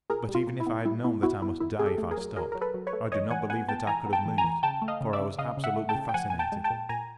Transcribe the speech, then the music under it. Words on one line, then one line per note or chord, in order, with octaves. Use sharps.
But, even if I had known that I must die if I stopped, I do not believe that I could have moved, for I was absolutely fascinated.
A#2 G#4 A#4
G3
F4
A#2
E4
B3
G3 E4
B3 E4
B3 E4 F#4
B3 E4
D#3 E4
C3 G#4
G4 A4
A3
G#4 A#4
F#3
F#3 G#4 A#4
F#3 A#4
A4 B4
F#3
B4 C#5
A3
E3 C#5 D#5
E3 F#5 G#5
B3 F#5 G#5
B3 G5 A5
E3 G#5 A#5
B3
G5 A5
E3
G#5 A#5
E3
C#3 G5 A5
A3
D#5 F5
C#3
D5 E5
C#3
C#3 D#5 F5
C#3
E5 F#5
A3
G5 A5
C#3
G5
F3 F#5 G#5
A#2 G#5
G5 A5
G#3
G5 A5
A#2
A#2 G#5 A#5